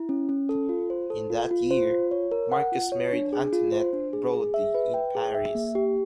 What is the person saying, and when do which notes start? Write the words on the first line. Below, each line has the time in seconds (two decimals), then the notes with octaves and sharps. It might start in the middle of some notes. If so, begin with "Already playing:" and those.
In that year, Marcus married Antoinette Brody in Paris.
Already playing: E4
0.09 C#4
0.29 C#4
0.49 A4
0.69 F4
0.90 C5
1.10 A4
1.30 F4
1.51 F4
1.71 C5
1.91 F4
2.11 C#5
2.32 A#4
2.52 F#5
2.72 F4
2.92 C#5
3.13 D4
3.33 G#4
3.53 F4
3.72 C5
3.93 D4
4.13 G#4
4.34 G#4
4.54 E5
4.75 B4
4.94 G5
5.15 G#4
5.35 E5
5.55 A#3
5.75 G4